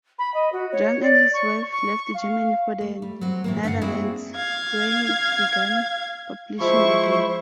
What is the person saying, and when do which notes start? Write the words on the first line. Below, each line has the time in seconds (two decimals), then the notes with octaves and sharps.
Jung and his wife left Germany for the Netherlands, where he began publishing again.
0.18 B5
0.34 D#5
0.52 F#4
0.72 C#5
1.03 D5
1.34 C#6
1.72 C#6
2.14 F5
2.81 A3
3.02 G3
3.21 F#3 C4
3.44 A2 E3 A#3
3.63 G2 D3 D4 F5 F#5
3.81 A#3 C4 D4 E4 F#4 G#4
4.36 F5 G#6
6.61 F3 G#3 E4 C5 E5 C#6